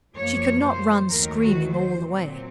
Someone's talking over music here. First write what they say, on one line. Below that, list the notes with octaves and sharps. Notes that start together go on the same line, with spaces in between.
She could not run screaming all the way.
F#2 F3 A#3 C#5
C5
D#2 D#3 F#3 A3 A#4
F#4
C5
A#2 F#3 C4